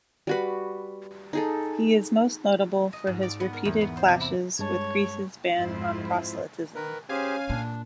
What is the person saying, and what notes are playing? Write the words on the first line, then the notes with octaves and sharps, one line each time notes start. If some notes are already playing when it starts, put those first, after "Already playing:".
He is most notable for his repeated clashes with Greece's ban on proselytism.
G3 F#4 B4
D#4 G#4 A4
D#5
G#2
D5
B3
A#4
E2
B3
C5
C3
E4
G2 G#3 C#5 A5
F2 G#2 E4 F4 C5
D#3 A#4 B4
C#4 G4 G#4 C5 F5 G#5
A#2 D4